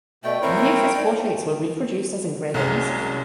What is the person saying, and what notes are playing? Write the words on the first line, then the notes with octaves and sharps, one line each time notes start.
Many of his portraits were reproduced as engravings.
B2 A3 D5 G5
C4 E4 A#4 C5 C#5
C4 G5
D5
C2 F#2 G#3